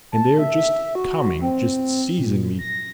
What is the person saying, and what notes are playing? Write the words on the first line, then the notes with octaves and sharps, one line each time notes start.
And they are just coming, just seizing me.
A5
E5
F#4
C4
A#2
A#6